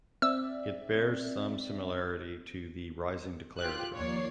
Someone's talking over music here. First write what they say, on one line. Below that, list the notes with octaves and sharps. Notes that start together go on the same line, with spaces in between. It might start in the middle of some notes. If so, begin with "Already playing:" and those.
It bears some similarity to the rising declarative.
C4 D5 E5 E6
F4 G4 F#6
D#2 F3 A#3 C#5 D5 C7